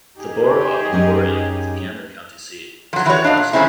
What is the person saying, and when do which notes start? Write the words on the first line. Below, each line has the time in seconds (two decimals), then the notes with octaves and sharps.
The borough of Emporium, the Cameron County seat, is to the west.
0.17 D#4 G4 G#4
0.93 F#2 C#4 D#5
2.93 F3 F#3
3.06 E3 F#4 G4 C#5
3.24 D4 D#5 F5
3.37 A#2
3.53 D#3 F3 G#3 C4 C#4 E4